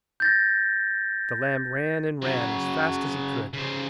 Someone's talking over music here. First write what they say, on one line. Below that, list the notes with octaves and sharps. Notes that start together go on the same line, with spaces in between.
The lamb ran and ran as fast as he could.
G6 A6 A#6
C#3 F#3 F#4
C#3 C5